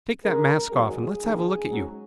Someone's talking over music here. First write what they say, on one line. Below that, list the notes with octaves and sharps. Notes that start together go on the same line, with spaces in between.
"Take that mask off and let's have a look at you."
F#2 C#3 G#3 D#4 A#4
G#1 G#2 F#3 G#4
A#1 G#2 D#3 A#3
G#2 F#3 C#4